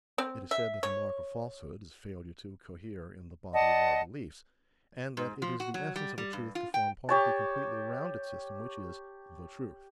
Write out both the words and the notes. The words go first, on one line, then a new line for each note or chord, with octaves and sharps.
It is said that the mark of falsehood is failure to cohere in the body of our beliefs, and that it is the essence of a truth to form part of the completely rounded system which is The Truth.
C4
E5
C#5
D5 D#5 F#5 A5
G#2
F3
F#4
F#3
G3
G3
G2
F4
G5
G4 C#5 A5